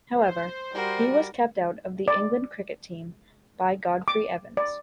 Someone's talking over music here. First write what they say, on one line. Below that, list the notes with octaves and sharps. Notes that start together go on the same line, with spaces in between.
However, he was kept out of the England cricket team by Godfrey Evans.
C5
G3 F#4 A#4
D5
D6
D5